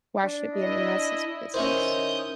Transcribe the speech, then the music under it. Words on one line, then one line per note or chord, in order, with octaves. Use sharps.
why should it be anyone else's business?
D4
E4 D#5
D#3 C#4 E4 C5 D#6 G6